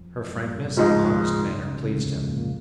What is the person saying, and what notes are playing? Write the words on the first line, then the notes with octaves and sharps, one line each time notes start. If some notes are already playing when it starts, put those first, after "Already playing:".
Her frankness and honest manner pleased him.
Already playing: F2 F3
G2 G3
A#2 A#3
C3
C3
C#2 G#2 C#3 F3 G#3 D#4
D#2 D#3
C#2 C#3
C3
C#2 C#3
D#2 D#3
F2 F3
G#2 G#3
A#2 A#3
A#2 A#3